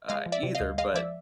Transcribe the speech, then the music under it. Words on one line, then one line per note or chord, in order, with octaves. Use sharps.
uh, either, but
G#3 D#5 F5
F3
D5 E5
C3
D#5 F5
D2
G#3 D#5 F5
F3 D5 E5